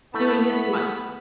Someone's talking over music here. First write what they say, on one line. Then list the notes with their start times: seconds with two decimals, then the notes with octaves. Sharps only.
doing this much.
0.14 A2 A3 B3 A5 B5